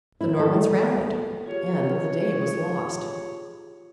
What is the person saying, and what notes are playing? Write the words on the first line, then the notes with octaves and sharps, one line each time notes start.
The Normans rallied, and the day was lost.
E4
A4
F4 G4 G#4 C#5